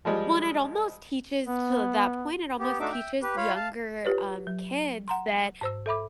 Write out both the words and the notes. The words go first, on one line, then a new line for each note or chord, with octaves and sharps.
Well, and it almost teaches to that point, it almost teaches younger, um, kids that
F3 G3 G#3
B3
B3 G4
A3 D4 D#4 F#4 E5 D6
E5 G5
G4 B4
F4 C#5 F5 B5
F5 A5
F4 G4 B4 C#5
F#3
F#5 A#5 C6
G#2 C5 E6
A4 E5 B5 D6